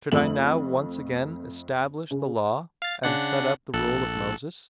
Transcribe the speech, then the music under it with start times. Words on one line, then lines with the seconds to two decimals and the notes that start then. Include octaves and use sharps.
Should I now once again establish the Law, and set up the rule of Moses?
0.12 F2 A3 F#7
2.11 C#3
2.82 F5 A6
3.03 C#3 D4 F#5
3.74 A#1 A4 F#6